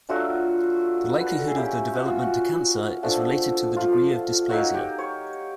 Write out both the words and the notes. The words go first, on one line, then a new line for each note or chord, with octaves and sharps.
The likelihood of the development to cancer is related to the degree of dysplasia.
F#3 A3 D4 F4 F#4
B4
A#4
A4
G#4
A#3 C#4 E4 G4
F#4
F4
F#4
F3 A3 D4
F4
F#3 A#3 D#4 F#4
G4
C#5